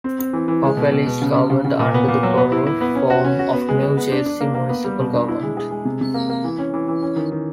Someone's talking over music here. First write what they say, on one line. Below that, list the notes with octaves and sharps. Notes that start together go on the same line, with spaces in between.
Hopewell is governed under the Borough form of New Jersey municipal government.
C4
C4
E3
E3
G#3
B2
B2
B2
C#3
C#3
C#3
C#3
A#2
B3
A#2
F#3
B3
E4
E4
B3
C#4
F#4
C#4
F#4
B3
G#3
G#3
B3
D4
D4
A#3
A#3
B3
G3
B2
D4
E4
G#3
G#4
G#3
C3
C3
A#3
A#3
E3
C#4
E3
E3
C#4
D#3
D#3